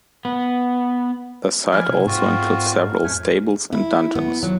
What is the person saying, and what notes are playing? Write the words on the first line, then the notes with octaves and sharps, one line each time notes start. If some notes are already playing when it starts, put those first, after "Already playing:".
The site also includes several stables and dungeons.
B3
F3 B4 D5 G#5 F6
C3 E4
G#2 C4 F4 F#4
F2 A3 C#4 G#5
E4
B3
F#3